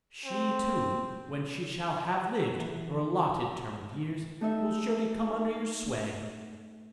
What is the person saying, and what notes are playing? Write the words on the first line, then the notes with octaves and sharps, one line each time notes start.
She too, when she shall have lived her allotted term of years, will surely come under your sway.
C4
E3
A3 D#4 E5